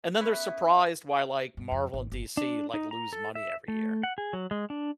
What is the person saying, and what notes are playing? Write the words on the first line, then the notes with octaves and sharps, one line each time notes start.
and then they're surprised why, like, Marvel and DC, like, lose money every year.
B3 C#4 E4
G2
F2
G#1
G1
D4
D#4
A#5
A4
E5
A3
F#5
G#4
F#3
G#3
D4